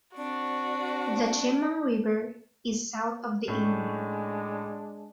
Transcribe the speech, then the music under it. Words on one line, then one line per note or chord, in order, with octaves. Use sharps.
The Chemung River is south of the area.
C4 D4 F#4 D5
A2 G#3 A3 C#4 D4